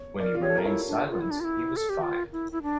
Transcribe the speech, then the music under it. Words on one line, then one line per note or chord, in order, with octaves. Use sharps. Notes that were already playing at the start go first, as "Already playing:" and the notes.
When he remained silent, he was fired.
Already playing: C#5
A#4 D5
F4
G4 C#5
A4
A#4
E4 C#5
D4
F4
E4
D4
F4
E4
A4
G4
F4
E4
E4
D4